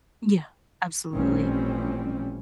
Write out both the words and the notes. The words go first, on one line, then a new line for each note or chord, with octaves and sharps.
Yeah. Absolutely.
A1 A#2 F3 G3 C4 C#4